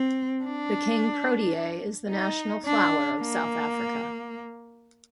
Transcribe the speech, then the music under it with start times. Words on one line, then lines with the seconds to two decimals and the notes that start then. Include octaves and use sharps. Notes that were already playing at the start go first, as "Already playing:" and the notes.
The king protea is the national flower of South Africa.
Already playing: C4
0.45 D4
2.10 D#4
2.66 D4
3.21 A#3